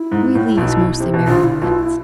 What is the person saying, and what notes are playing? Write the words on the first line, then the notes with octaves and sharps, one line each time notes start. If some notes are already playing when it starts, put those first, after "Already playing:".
We Lees mostly marry Aurettes.
Already playing: E4
G#2
A2
B1 B2
C3
B2
A#1 A#2 F4
E4
B1 B2 F4
E4